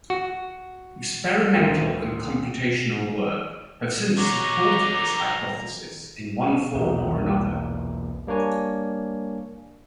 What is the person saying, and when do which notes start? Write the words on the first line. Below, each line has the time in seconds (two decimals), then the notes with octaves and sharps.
Experimental and computational work have since supported this hypothesis in one form or another.
0.10 F#4
1.54 D2 D#3 G5
4.17 F#3 D#4 F#4 A#5 D6
6.74 B1 E2 A#2
8.27 G3 A#3 D4 C#5 G#5